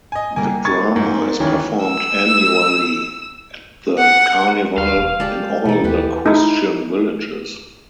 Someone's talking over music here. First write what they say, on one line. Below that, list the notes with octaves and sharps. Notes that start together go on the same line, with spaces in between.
The drama is performed annually at the Carnival in all the Christian villages.
D#5 G#5
G3 A#3 G#5
C#6 G#6 A6
G#2 A#4
D2 D#3 E3 C#4
E6
F#5
D#2 F5
E1
G#3 G4 D5 A5
B2 E3 A4
D#2 G4 B4
D#4 E4